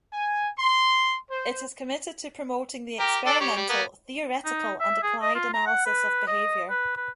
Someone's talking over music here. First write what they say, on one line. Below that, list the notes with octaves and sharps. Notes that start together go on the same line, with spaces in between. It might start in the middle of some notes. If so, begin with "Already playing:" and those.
It is committed to promoting the experimental, theoretical, and applied analysis of behavior.
G#5
C6
C5
G4 A#4
D4 A4 D5
G3 G4 C#5
G3
A#3 B3
D#4
E5
G#4
D#5
F4
A#5
F#5
B4
D#5
B4
B4